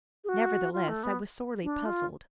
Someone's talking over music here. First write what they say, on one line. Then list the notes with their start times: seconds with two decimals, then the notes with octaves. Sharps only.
Nevertheless, I was sorely puzzled.
0.24 G#4
0.29 F#4
0.73 F4
0.89 A3
1.03 B3
1.64 D4
1.85 F4